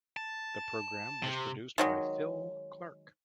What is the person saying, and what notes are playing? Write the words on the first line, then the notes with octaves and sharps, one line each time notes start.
The programme was produced by Phil Clark.
A5
C3
D#3 F#3 G#3